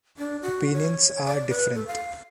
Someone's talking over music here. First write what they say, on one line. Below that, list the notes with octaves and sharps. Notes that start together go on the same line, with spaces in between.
Opinions are different.
D4
F#4
C#5
D5
B4
A4
F5